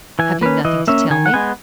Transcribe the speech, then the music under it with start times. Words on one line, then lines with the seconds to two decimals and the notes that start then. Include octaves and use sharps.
"Have you nothing to tell me?"
0.19 E3 G#5
0.41 A#3 C#4 B4
0.65 E3 D#5
0.87 A#3 C#4 E5
1.10 D#3 G#5
1.26 F#5
1.34 G#3 B3 G#5